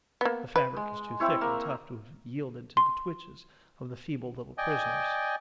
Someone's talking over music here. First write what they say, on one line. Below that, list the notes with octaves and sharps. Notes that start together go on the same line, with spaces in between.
The fabric is too thick and tough to have yielded to the twitches of the feeble little prisoners.
A#3 B3
B4
G#3
C4 E4 C#5
A#3
C6
D5 D#5 G5 G#5